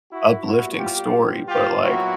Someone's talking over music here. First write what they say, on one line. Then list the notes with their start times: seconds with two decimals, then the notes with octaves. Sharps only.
uplifting story, but, like,
0.11 E4 F#4
0.44 A#2 G3 B3 E4 F#4
0.78 F4 G4
1.47 F4 G4
1.81 A#2 F#3 B3 E4 F#4